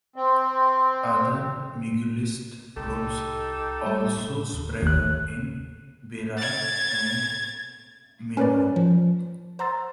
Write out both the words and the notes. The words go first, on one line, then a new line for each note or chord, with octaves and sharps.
Other miguelist groups also sprang up in Beira and Minho.
C4
C2 D#4 G4 A4
G3
A2
D#2
G1 D#2 F#6
G#6 A6
C#4 A#4 B4 C#5 D5
F3
C5 F#5 A#5 C6 E6 A6